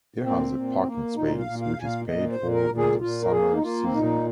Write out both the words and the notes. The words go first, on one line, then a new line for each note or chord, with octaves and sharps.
It has a parking space, which is paid for in the summer season.
A#2 C4
A#2
A#3
A#2 D#4
F5
A#2
F5
A#2 G#5
F5
A#2 D#5
C5
A#2
A#4
A#2
G#4
A#2 F4
A#4
A#3 G#4
D#4
A#3 F4
C4
A#2 D#4